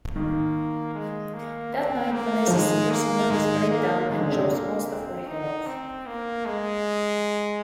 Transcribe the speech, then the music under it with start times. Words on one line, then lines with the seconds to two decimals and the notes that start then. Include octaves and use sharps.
That night, Vanessa suffers a nervous breakdown and chops most of her hair off.
0.16 D#3 A#3
0.94 G#3
1.34 A#3
1.73 C4
2.12 A#3
2.47 F3
2.52 D#3 G#3
2.91 A#3
3.30 D#3 G#3
3.70 A#3
4.09 D#3 G#3
4.21 D3
4.31 C3
4.42 D3
4.48 A#3
4.88 C4
5.27 D#4
5.67 C4
6.07 A#3
6.46 G#3